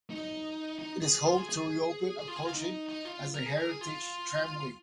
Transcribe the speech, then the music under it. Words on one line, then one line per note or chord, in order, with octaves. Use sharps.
It is hoped to reopen a portion as a heritage tramway.
D#4
D#4
G#4
G#4
F4
G#4
G#4
G#4
F4
G#4
F4
D#4
D#4
F4
A#4
G#4
A#4
G#4
F4